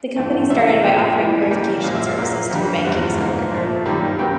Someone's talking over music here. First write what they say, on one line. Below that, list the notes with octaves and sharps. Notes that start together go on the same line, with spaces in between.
The company started by offering verification services to the banking sector.
G#2 E3 A3
C3 E3 A3 E5
F5
A#2 F3 G#3 B3 G5
A2 E3 G3 B3
G#5
C#3 E3 G3 A#3 G5
A#2 F3 G#3 F5
E5
F5
A#2 F#3 A#3 F5
F2 D3 G3
E2 C#3 F3 G#3 B3 F#5
G#2 F3 A#3
A#2 F3 A3
F#2 D#3 G3 A#3
C#3 F#3 B3 G5